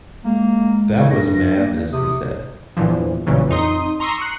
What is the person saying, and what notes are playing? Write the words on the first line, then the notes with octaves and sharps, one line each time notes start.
"That was madness," he said.
G#3 A#3
C#3
G2 A#6
A#3
C3 D#6
E2 G2 A#2 E3 F3
A#1 A#2 C#3 E3 F#3
F2 D#4 C6 D#6
A#5 C6 C#6 D#6 E6 A#6
F#6 C7 C#7